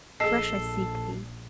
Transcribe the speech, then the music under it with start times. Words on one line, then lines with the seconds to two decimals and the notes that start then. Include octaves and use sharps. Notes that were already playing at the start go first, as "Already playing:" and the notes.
Afresh I seek thee.
0.20 A#1 G#4 A4 D#5 C7